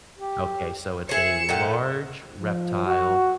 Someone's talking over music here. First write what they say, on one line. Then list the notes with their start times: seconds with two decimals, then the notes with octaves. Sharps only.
Okay, so it's a large reptile
0.18 G4
1.09 G#4 C5 E5 C#7 E7
1.49 A#2 A3 F#5 G5
2.41 F3
2.87 F#4